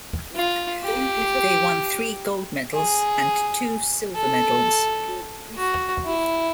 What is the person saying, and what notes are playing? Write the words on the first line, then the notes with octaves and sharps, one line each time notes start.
They won three gold medals and two Silver medals.
F4
G4
G#4
A4
F#4
E4